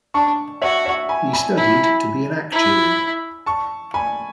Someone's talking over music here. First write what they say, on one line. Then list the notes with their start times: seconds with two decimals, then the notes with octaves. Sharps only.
He studied to be an actuary.
0.14 D4 A5 C#6
0.61 F#4 C#5 E5
0.85 C#5 E5
1.09 G#5 B5
1.33 G#5 B5
1.57 E4
2.52 E4
3.46 A5 C#6
3.94 G#5 B5